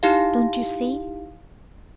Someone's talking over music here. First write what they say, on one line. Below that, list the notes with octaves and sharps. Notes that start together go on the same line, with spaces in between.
Don't you see?
D#4 E4 G4 F5